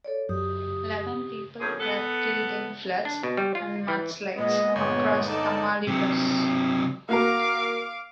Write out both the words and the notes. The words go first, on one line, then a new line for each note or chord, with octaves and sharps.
Eleven people were killed in floods and mudslides across Tamaulipas.
A4 C#5 D5
F#2 G4 D#6
G2 F3 A3 A#3 C#4 G#4
B3 A4
D4
B2
G3
F4
E3
A#2 G#3 B3 D#5
G1 C#5
D#4 A4 D5 A5
C3 F#3
A#3 F#4 A#4 F5 D6